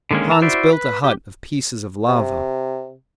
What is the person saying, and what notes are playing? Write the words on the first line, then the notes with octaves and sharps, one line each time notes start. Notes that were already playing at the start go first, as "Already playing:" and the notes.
Hans built a hut of pieces of lava.
D3 D#3 G#3 A#3 C#4
A#4 A5 A#5
E4 F#4 C5 D5 E5
B4
G4
C3